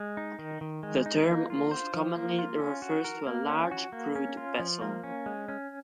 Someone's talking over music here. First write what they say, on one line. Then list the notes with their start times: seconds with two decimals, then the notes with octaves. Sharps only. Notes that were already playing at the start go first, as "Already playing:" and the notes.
The term most commonly refers to a large, crewed vessel.
Already playing: G#3
0.17 D#4
0.39 D#3
0.61 D#3
0.83 G#3
1.06 D#4
1.27 A#3
1.50 F4
1.71 C5
1.94 F3
2.15 A#3
2.39 F4
2.60 C#4
2.82 F#4
3.04 A#4
3.27 A#3
3.49 C#4
3.71 F#4
3.92 A#3
4.15 C#4
4.37 F4
4.60 F3
4.81 A#3
5.04 C#4
5.26 G#3
5.48 C#4